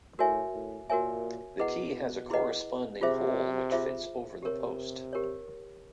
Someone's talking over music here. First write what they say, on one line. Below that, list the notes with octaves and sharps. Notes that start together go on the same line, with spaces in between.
The key has a corresponding hole which fits over the post.
A2 F#4 A#4 C#5 E5 G#5
A2
A#2 F#4 A#4 C#5 E5 G#5
B2 E4 G#4 B4 D#5 F#5
E4 G#4 B4 D#5 F#5
C3 F4 G#4 C5 E5
F4 G#4 C5 E5
C3 G4 A#4 C#5
G4 A#4 C#5